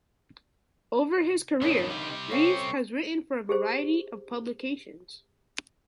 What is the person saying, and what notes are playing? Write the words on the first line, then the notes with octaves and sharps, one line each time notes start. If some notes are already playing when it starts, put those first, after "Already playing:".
Over his career Rees has written for a variety of publications.
E2 G2 D3 A#3 C#4 D#4 F4
C3 G3 F5
C4 C#4 A4 F5 C#6
G4 G#4 C5